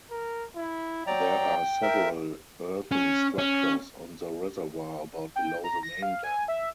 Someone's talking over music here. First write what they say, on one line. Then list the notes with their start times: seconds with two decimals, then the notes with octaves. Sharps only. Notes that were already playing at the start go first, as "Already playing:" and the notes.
There are several earthen structures on the reservoir about below the main dam.
0.10 A#4
0.56 E4
1.07 F#3 D5 G5 A#5
1.82 A#4 E5
2.91 C#4
3.38 C#4
5.36 G5
5.64 A#5
5.83 A#6
6.02 F5
6.24 G#5
6.48 E5